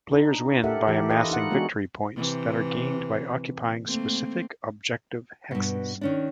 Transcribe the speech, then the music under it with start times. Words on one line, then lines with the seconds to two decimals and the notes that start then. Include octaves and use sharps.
Players win by amassing victory points that are gained by occupying specific objective hexes.
0.11 D4 D#4
0.63 G4 A4 A#4 E5 F#5
0.88 E3 G4
1.10 F4 A4 B4 D#5
1.31 D#4 F#5
1.51 G#3 B3 D4 F#4 G#4
2.17 C3 E3
3.87 A3 A#3 C4
5.51 G2 B2
6.01 D#3 C#4 D4